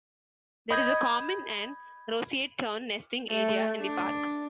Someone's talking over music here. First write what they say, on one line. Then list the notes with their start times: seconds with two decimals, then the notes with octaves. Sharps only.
There is a common and roseate tern nesting area in the park.
0.71 D#5 B5 G6 G#6
3.30 A3
3.80 D4